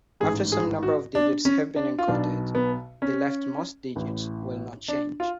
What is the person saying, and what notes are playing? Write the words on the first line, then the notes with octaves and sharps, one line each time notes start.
After some number of digits have been encoded, the leftmost digits will not change.
A1 G#2 G#4
G#4
F#4
D4
C#4
D4
F4
B1 B2 D4
B3
C#4
A1 A2
D4
F4